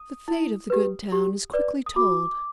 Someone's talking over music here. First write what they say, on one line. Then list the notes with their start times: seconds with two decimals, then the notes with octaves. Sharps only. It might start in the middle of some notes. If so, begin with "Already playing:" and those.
The fate of the good town is quickly told.
Already playing: D#6
0.28 E4
0.70 G4 B4
1.12 G4
1.53 B4 D5
1.86 D#6
1.96 F#4 D6